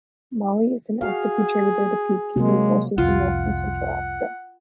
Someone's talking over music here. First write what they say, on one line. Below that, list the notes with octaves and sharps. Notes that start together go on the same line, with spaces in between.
Mali is an active contributor to peacekeeping forces in West and Central Africa.
F#4 G#4 F5
C3 F#3 G#3 A#3
C2 F2 F4 F#5